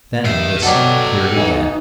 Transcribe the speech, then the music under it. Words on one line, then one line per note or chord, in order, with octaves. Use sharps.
Then the scene cleared again.
G2 A#4 D#5 E5 C6
B2 D3 F#3 G3 A4 G5
B1 E3 D#4